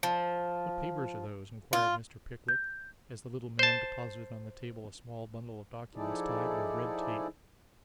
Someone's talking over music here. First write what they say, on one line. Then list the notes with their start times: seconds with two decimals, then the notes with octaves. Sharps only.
'What papers are those?' inquired Mr. Pickwick, as the little man deposited on the table a small bundle of documents tied with red tape.
0.03 F3
1.73 F4
2.49 G6
3.59 C5 A5
5.95 F3 D#4 E4 G#4 A4 D5